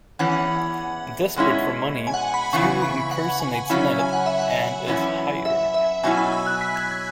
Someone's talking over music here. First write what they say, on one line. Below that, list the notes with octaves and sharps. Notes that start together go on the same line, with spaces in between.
Desperate for money, Dewey impersonates Ned and is hired.
E2 E3 C#4 F#5
B2 G#3 C#4 E4
G#5
F#5
B5
C#3 E3 B3 E4 C#6
B5
F#5
G#5
C#3 F#3 C#4 E4 B5
G#5
F#5
E5
F#5
F#2 E3 C#4 E4
E5
E5
B2 F#3 C#4 E4 G#5
B5
E6
F#6
B6
G#6
G#6